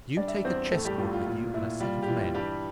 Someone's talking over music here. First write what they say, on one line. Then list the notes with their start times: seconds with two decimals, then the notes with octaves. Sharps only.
You take a chessboard with you and a set of men.
0.17 G3 D4 D5
0.28 E5
0.36 D5
0.45 E2 C4 C5
0.72 A2 A3 A4
0.85 G3 G4
0.99 A2 F4
1.13 F4
1.26 A#2 F4
1.54 A#2 E4
1.81 G3 F4
2.03 G4
2.08 E3 F4
2.34 G2 G3 G4